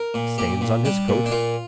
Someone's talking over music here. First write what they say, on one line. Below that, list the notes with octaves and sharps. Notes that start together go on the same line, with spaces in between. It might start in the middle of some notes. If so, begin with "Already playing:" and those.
Stains on his coat.
Already playing: A#4
A#2
A#2 G4
A#2
G3 D4
A#2
D4
A#2 F4